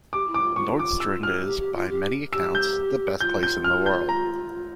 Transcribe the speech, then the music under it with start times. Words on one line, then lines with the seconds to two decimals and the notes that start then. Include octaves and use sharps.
Nordstrand is, by many accounts, the best place in the world.
0.12 G4 D6
0.27 E4
0.34 D6
0.42 F4
0.56 F4 C#6
0.79 D6
1.00 E6
1.23 F6
1.40 F4
1.45 G4
1.59 G4
1.74 F4
1.89 G4
2.33 G4 E6
2.55 G6
3.20 F4 G6
3.43 G6
3.64 F6
3.86 G6
4.09 A#5